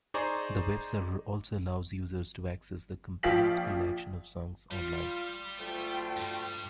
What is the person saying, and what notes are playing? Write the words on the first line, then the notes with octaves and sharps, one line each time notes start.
The web server also allows users to access the complete collection of songs online.
D#4 G#4 C5 D5 A#5 C#6
A#1 F3 F5 G5 B6 F#7
G3 F4
D2 A3 F4 G5
G2 G3